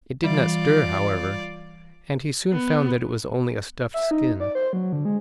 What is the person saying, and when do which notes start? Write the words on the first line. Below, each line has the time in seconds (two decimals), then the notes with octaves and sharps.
It did not stir, however, and he soon found that it was only a stuffed skin.
0.24 E3 G3 F4 D5
2.53 B3
3.94 E5
4.11 D#4
4.40 D5
4.55 C5
4.73 F#3
4.93 D3
5.05 G#3